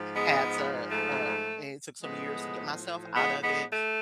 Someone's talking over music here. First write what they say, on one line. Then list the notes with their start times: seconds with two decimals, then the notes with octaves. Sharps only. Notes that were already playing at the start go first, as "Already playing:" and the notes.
had to, uh it took some years to get myself out of it,
Already playing: G#2 F3
0.15 G#3 B3
0.90 A3
2.02 A2 F3 G#3 B3
3.15 G#3 B3
3.43 G#3 B3
3.72 A3